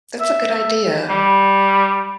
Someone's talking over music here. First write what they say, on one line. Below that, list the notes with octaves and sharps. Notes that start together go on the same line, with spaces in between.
That's a good idea.
E5
G3